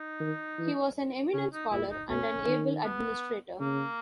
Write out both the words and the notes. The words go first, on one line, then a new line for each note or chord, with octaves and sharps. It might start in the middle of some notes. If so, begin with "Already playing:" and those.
He was an eminent scholar and an able administrator.
Already playing: D#4
D#3
E3
C#3 C#4
D#4
A#2 E4
D#4
B2 C#4
D#3
B3
C#3 A#3